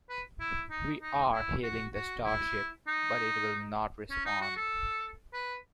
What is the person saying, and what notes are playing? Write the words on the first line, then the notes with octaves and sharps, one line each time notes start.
We are hailing the starship but it will not respond.
B4
E4
D#4
D#4
E4
F#4
F#4
E4
D#4
C#4
D#4
F#4
A4
B4